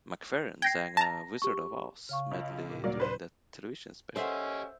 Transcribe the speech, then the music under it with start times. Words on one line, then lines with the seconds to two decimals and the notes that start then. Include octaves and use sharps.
McFerrin sang a "Wizard of Oz" medley during that television special.
0.62 G5 G#6 A#6 C7
0.97 A5 A#5 A#6
1.42 G4 C#6
2.09 C#3 F5 C#6
2.31 C#2
2.70 D#2 A#2
2.84 F#3 A#3 D5
3.00 B4 C5
4.16 C#4 G4 A4 A#4 C5 D#5 E5 F#5